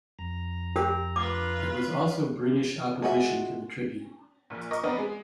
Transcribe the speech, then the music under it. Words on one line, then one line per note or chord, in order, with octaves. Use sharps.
There was also British opposition to the tribute.
F2 A#5
G4 A#4
F4 B4 D6
G#3 F4 F#4 A#4 E5
A#1 A#2
A#4 D#5 C#6 D6
B3 C4 D4 A#4 B4 D#5
G#3